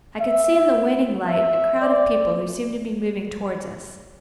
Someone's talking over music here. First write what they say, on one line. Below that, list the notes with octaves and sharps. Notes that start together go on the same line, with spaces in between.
I could see in the waning light a crowd of people who seemed to be moving towards us.
E5
E5
D5